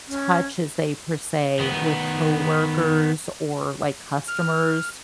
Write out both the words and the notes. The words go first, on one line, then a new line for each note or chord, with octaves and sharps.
touch, as they per se, with coworkers or, like, customers
C#4
D#3 B3
F6